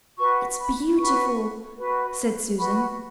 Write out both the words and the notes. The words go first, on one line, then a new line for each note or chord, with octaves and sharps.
"It's beautiful," said Susan.
F#4 B4 C#6
B5
F#4 B4 C#6
F#4 B4
F#4 B4 B5